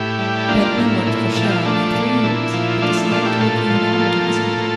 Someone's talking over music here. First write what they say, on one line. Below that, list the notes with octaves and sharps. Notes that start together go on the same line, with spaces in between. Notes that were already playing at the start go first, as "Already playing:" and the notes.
Bentley worked for Shell for three years but disliked working in advertising.
Already playing: A2 E4 G4
G3
A#3 D4 F4
A2 E4
A#2 E4
F3 A4
G4
F4
E4
A3 D4
A#2
A#2 E4
F3
A3 D4 F4
E4
A#2 D4 F4
E4 G4
A2 F4 A4
F3
A#3
A2
A2